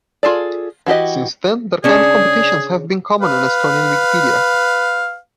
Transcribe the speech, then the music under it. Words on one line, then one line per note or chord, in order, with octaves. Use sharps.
Since then that kind of competitions have been common in Estonian Wikipedia.
F4 G#4 A4 D5
E3 F#4 G4 D#5
C#3 C#4 D4 G#4 D5
B4 F5